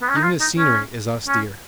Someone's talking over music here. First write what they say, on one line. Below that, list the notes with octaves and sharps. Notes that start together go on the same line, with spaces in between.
Even the scenery is austere.
B3
C#4
D#4
F4
D#4
C#4
C#4